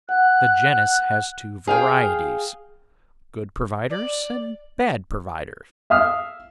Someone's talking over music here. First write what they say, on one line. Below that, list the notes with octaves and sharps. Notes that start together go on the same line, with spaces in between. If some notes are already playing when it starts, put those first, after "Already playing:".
The genus has two varieties: good providers and bad providers.
F#5 F#6
G#4 F5 G5
D5
E5 F5 D#6 F6